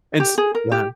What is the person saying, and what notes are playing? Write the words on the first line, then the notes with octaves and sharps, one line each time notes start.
It's yeah.
G4
G#4
A#4
G4